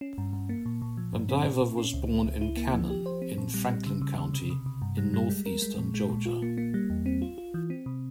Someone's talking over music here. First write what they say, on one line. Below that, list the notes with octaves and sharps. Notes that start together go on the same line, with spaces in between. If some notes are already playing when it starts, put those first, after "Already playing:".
Vandiver was born in Canon in Franklin County in northeastern Georgia.
C#4
G2
G2
A#3
A#2
A#2
F3
G2
C4
A#2
A#2
C#4
C#2
C#2
C#2
E4
A#3
F3
G4
C5
C4
A#2
G3
G3
C#3
C#3
C#3
C3
C3
C3
G2
G3
G3
G#3
A#4
G#3
A#2
G#3
A#2
F4
A#3
A#3
G3
E2
C4
F4
F4
E3
C4
C3